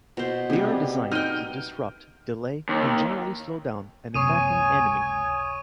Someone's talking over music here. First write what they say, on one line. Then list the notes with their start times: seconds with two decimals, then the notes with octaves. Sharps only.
They are designed to disrupt, delay and generally slow down an attacking enemy.
0.17 B2 C5
0.50 C3 G3 G#4
1.11 D#4 G5 F6 G6 D#7
2.69 D#2
4.14 F#1 C#2 C3 C#5 G#5 C#6 D#6 D#7